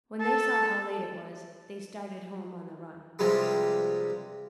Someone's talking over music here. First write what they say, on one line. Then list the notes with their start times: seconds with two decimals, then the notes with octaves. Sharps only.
When they saw how late it was, they started home on the run.
0.20 A4 A5
3.19 G2 C3 F3 G3 G#3